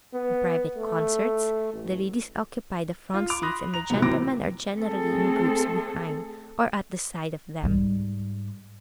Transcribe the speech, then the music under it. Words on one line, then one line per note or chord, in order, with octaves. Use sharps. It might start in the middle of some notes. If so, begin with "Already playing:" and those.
In private concerts, the ladies occupy the front seats, and the gentlemen are generally in groups behind, or at the side of them.
B3
A3
A1
F4
D6 F7
B5 C6 D#6 F#6 A#6
A#5 A#6 F7
A2 C3 F#3 B3
E3 F#3 A#3 C4 D6 A#6
A3 C4 G#4 A4
G#2 G3